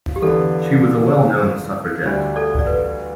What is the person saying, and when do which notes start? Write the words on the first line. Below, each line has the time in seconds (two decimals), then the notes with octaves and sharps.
She was a well-known suffragette.
0.16 G4
0.22 E2 D3 B3 A4
2.05 D2 D3 G3 D4
2.36 A4 D5
2.59 D5
2.67 B4